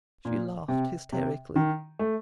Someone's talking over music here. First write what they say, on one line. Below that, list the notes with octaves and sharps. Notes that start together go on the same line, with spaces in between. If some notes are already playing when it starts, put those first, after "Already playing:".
She laughed hysterically.
A#2
C3
C3
D#3
A3